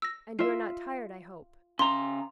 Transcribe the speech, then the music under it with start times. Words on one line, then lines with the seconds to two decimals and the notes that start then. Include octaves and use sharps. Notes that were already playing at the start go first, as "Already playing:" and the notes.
"And you're not tired, I hope."
0.02 E6 A#6
0.39 F4 E5
1.79 C#3 A#5 C6